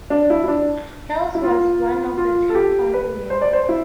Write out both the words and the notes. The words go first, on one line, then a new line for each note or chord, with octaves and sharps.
Hales was one of the ten founding members.
D4
E4
E4
D4
E4
F4
F4
A4
G4
B4
C5
D5
C5
E4